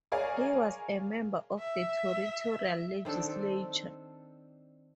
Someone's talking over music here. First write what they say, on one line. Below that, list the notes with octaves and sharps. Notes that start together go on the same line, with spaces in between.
He was a member of the Territorial Legislature.
G#4 A#4 C#5 D5 F5 G#5
E5
D#3 C4 D4 A4